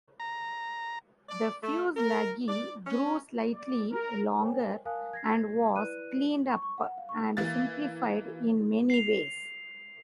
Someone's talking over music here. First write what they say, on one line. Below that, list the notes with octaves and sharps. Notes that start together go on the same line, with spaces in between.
The fuselage grew slightly longer, and was cleaned up and simplified in many ways.
A#5
D5
A3
A#4
D5
C#4
D5
A#4
A#4 C5 C#5 G5 G#5
A#4 F5 G#5 A5 D#6 F#6
G#6 A#6 C7
E4 B4 D5 F#6 D#7
C#6
C#6
F#5
F5
C#6
E3 A#3 F5 A6
C7 F7